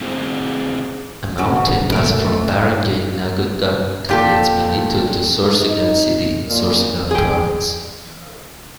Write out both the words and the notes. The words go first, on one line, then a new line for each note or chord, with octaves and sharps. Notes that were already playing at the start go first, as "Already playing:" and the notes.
A mountain pass from barangay Nagotgot connects Manito to Sorsogon City in Sorsogon province.
C4 E4 F#4 G#4 C5
C#3 C#4 F#4
A3 A#4
A#2 G4 A4
D#4
A#2
G#4 G5